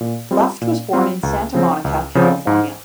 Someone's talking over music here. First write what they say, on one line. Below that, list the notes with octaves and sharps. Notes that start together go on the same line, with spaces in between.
Luft was born in Santa Monica, California.
A#2
G3 C4 F4
A#2
G3 C4 F4
C#2
C#3 F3 C4
C#2
C#3 F3 C4
G#2